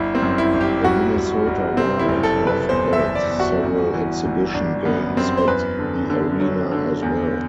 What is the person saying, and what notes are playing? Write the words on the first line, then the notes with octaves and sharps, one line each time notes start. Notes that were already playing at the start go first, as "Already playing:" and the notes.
The Minnesota Wild have played several exhibition games at the arena as well.
Already playing: G1 E4
C4
F#2
E4
G1
G4
G1 F#4
G1
G1
C3 C4
E4
F#1
A4
C3
B4
E2 C5
E5
E2
D5
E2
F#4
G1
E3
G1
G1 D4
F#2 B3
F#2 C4
C5
E2 B4
D3
D3
F#3
D3
E2